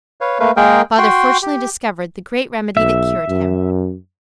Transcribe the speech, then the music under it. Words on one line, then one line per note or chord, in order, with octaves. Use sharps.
Father fortunately discovered the great remedy that cured him.
B4 C#5 F5
A3 A#3 B4 F5
G#3 A#3 G#4 A#4 G5
F#4 G5 C6
G4
B1 E5
F#2